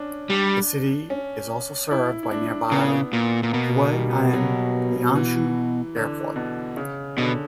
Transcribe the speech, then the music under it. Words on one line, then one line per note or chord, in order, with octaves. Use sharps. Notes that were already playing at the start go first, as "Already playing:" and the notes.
The city is also served by nearby Huai'an Lianshui Airport.
Already playing: C#4 D4
G3 D4
C#4
E4
E4
D4
C#3 B3
A#2
A#2
B2 A#3
G3
F#3
E3
D3
B2
C#3
B2 D3